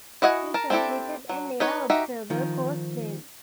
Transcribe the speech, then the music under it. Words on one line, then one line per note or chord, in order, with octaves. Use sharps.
He completed an air observer course then.
E4 F#4 D#5 F#5 G#5
A#4 A5
C4 D4 E4 G4 A4
F#3
D#4 B4 C#5
D#4 F#4 G4 E5
D#3 F3